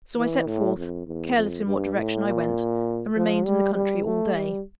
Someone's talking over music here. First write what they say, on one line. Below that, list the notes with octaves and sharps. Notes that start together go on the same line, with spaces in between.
So I set forth, careless in what direction I went; and remained in the country all day.
E3
A2
F2
E2
F2
G2
A2
A#2
F3
G3
G3
A3
G3